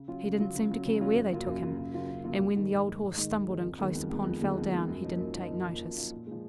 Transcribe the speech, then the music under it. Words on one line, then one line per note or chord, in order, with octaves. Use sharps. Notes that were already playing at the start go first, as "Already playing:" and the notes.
He didn't seem to care where they took him; and when the old horse stumbled and close upon fell down he didn't take notice.
Already playing: C#3
F#3 C#4 F4
C#3
F#3 C#4 F4
C#3
F#3 C#4 F4
C#3
F#3 C#4 F4
F#2
C#3 F#3 A#3 F4
F#2
C#3 F#3 A#3 F4
F#2
C#3 F#3 A#3 F4
F#2
C#3 F#3 A#3 F4
G#2
D#3 G#3 D#4
G#2
D#3 G#3 D#4
G#2
D#3 G#3 D#4
G#2
D#3 G#3 D#4
F2
D#3 G#3 B3
F2
D#3 G#3 B3
F2
D#3 G#3 B3
F2
D#3 G#3 B3
F#2
F3 A#3 D#4
F#2
F3 A#3 D#4
F#2
F3 A#3 D#4
F#2
F3 A#3 D#4
A#2
F3 G#3